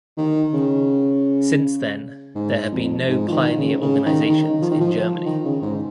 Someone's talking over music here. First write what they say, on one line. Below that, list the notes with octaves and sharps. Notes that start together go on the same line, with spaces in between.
Since then, there have been no pioneer organisations in Germany.
D#3
C#3
G#2
F2
G#2
F3
D#3
C#3
C#3
D#3
D#3
F3
D#3
F3
D#3
C#3
G#2